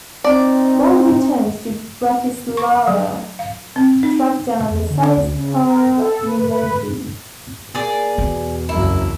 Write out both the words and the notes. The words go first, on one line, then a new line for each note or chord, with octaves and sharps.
Bond returns to Bratislava to track down the cellist, Kara Milovy.
C4 D#4 D5
C#6
F#3
F5
C4
D#4
E2
D3
D2
C#3
A#4
A4
B4
B4
A#3 G#4 D5
E2 B2
F#1 C2 F#2 A#3 E4